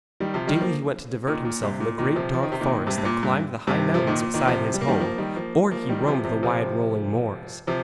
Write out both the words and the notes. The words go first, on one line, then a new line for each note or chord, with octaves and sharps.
Daily he went to divert himself in the great dark forest that climbed the high mountains beside his home, or he roamed the wide rolling moors.
D#3 G3
C3 F3
D#3 G3
F3 A#3
A#2 D#3
A#2
G2 C3
A#2
A#2 D#3
C3 F3
F3
D#3
C3
A#2 D#3
G2 C3
G2
A#2
G2
G2 C3
C3 F3
A#2 D#3
A#2
A#2 D#3
C3 F3
G3
A#3
D#3 G3
F3 A#3
D#3 G3
F3 A#3
F3 A#3
D#3 G3
C3 F3
C3 F3
C3 F3
C3 F3